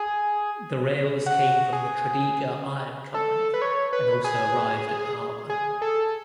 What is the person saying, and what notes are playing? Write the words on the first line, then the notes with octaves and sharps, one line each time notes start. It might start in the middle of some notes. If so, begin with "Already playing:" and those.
The rails came from the Tredegar Iron Co, and also arrived at the harbour.
Already playing: G#4
F#4
G#4
A4
B4
C#5
B4
G#4
G#4
A4